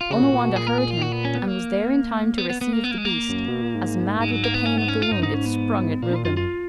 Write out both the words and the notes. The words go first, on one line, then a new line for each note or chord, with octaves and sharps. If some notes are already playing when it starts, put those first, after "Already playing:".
Onawandah heard him, and was there in time to receive the beast, as, mad with the pain of the wound, it sprung at Reuben.
F4
C#3 F#4
A#2
A#2
B2
A#2 G#4
A#4
G#4
F4
F#4
B3
C#4
B3
A#3
B3
B3
B3
A#3
B3
A#3
G#3
A#3
F#2
B2
A#2
G#2
G#2 G#3
F#3
A#3
B3
C#4
B3
C#4
F4
G#2 D#4
F#2
G#2 D#4
C#4
B3
A#2 A#3
F4
F#2 F4
F4